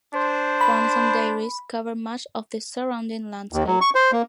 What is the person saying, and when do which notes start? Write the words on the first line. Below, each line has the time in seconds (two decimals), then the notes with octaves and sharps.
Farms and dairies cover much of the surrounding landscape.
0.14 D4 C5
0.61 B5
3.53 D#2
3.66 F#3
3.81 C#6
3.95 C5
4.13 A#3